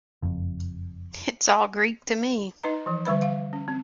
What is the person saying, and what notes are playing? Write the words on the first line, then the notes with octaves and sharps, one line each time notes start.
It's all Greek to me.
F#1 F2
D#4 B4 D#5 A#5
E3 F3
D3 G3 B4 B5
F5
C#4
C4